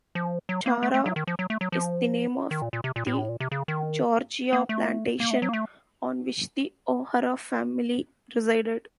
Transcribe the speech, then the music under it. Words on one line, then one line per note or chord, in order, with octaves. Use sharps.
Tara is the name of the Georgia plantation on which the O'Hara family resided.
F3
F#3
A#3
A3
A3
F#3
D#3
F3
F#3
A3
F#3
F3
D#3
A#2
A#2
C3
A#2
A2
A#2
A2
A#2
C3
C#3
D#3
A#3
A3
A#3
A3
F#3
A#3
A3